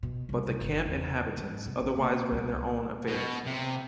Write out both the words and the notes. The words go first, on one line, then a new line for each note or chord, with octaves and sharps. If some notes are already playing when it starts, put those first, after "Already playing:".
But the camp inhabitants otherwise ran their own affairs.
B2
C2
G1
E2
G#2
C2
A1
A#3
C2
B2
C3